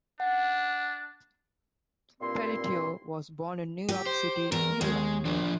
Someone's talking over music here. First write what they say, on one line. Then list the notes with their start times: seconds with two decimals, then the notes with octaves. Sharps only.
Pelletier was born in New York City, New York.
0.20 D4 F#5
2.21 G2 A#2 C4 E4 C6
3.89 G4
4.06 C5
4.52 E2 A#4
4.81 D#2 G#3
5.25 F3 D4